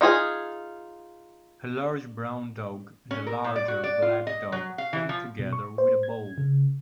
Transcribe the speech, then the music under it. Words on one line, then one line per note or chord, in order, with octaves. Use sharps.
A large brown dog and a larger black dog playing together with a ball.
D#4 F4 G#4 G#5
C#4
A#4
A2
D5
F#4
D5
F4
D#5
F#3
F5
E3
F3
B2
C#6
C5
G#6
C#3